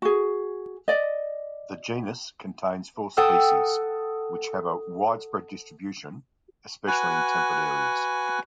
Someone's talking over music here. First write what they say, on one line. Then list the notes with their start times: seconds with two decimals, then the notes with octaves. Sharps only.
The genus contains four species, which have a widespread distribution, especially in temperate areas.
0.02 F#4 G#4
0.88 D5 D#5
3.17 A4 F#5 G5 D#6 E6
6.87 F#4 B4 F#5 G#5